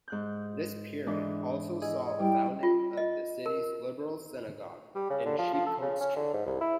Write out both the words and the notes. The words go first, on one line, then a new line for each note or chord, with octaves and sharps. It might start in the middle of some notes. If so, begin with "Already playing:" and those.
This period also saw the founding of the city's Liberal synagogue in Sheepcote Street.
G#2 F#6 G6
G#2 E3 D4
E4 G#4 D#5
G3 E4 G5
F4
D#5
A#4
G3
C#3
D3
F3
F3
A4
C#3
C#4
D3
G#2
C2
E4